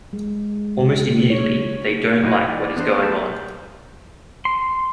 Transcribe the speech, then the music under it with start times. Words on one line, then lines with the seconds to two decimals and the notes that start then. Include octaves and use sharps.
Almost immediately, they don't like what is going on.
0.13 G#3
0.80 C#3
1.30 C#5
2.24 A#3 D#4 F#4 B4 C#5
2.47 E3 D5
2.76 B3 D4 C5
3.02 F#3 A3 B4 A5 G6
4.45 C6